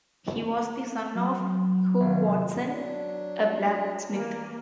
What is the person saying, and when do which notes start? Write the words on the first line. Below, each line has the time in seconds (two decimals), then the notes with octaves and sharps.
He was the son of Hugh Watson, a blacksmith.
1.14 F#3
2.00 D#1
2.27 C3
2.64 F#3 D4
4.08 E3 A#3